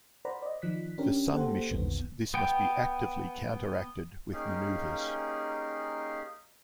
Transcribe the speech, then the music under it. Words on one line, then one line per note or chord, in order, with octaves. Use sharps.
For some missions this must be actively counter-acted with manoeuvres.
A#4 C5 D5 F#5 A#5 B5
D5 D#5
D#3 F3 F#6 B6
C#4 D4 G4 A#4
A#3 G4 A4 C5 F#5
A#1 E2 D3 D#3 B3
B3 G5
A#3 C#4 D#4 G4 G#4 F5